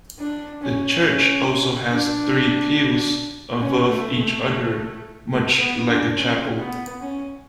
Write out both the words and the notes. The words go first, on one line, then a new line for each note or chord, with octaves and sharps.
The church also has three pews above each other, much like a chapel.
D4
C#4
C#4
D4
C#4
A3
A3
A3
B3
D4
C#4
B3
C#4